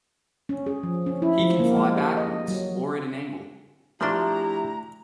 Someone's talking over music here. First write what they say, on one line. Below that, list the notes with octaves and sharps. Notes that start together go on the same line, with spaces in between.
He can fly backwards, or at an angle.
C#4
G#4
F3
C#4
E4
F3
A#3
G#3
G4
D#5
F#3
F3 A3 D4 E4 F#4 G4 A#5 C6